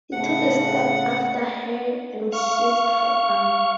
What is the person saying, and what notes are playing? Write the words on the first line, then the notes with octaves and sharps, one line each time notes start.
He took a step after her and seized her arm.
A2 C#3 A3 F#5
F5 C#6